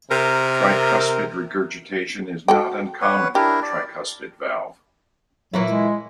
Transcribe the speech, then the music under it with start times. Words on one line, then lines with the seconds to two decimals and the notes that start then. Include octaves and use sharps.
Tricuspid regurgitation is not uncommon in the tricuspid valve.
0.11 C3 A#4
2.48 F#4 A4 G5
3.01 B4 C#5 F#5
3.35 D4 E4 G4 A#4
3.62 D5
5.53 A#2 E3 F#3 E4
5.68 G#3